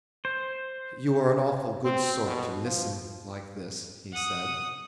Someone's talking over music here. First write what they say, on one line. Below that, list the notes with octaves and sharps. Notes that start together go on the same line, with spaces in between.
"You are an awful good sort to listen like this," he said.
C5
C4
B2
F3
F#5 D#6